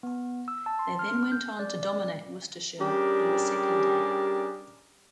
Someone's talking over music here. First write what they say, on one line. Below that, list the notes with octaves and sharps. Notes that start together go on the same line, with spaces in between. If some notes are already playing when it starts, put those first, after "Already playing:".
They then went on to dominate Worcestershire on the second day.
B3
E6
A5
C6
F6
G6
D5
D5
G3 C#4 D4 G4 G#4 A#4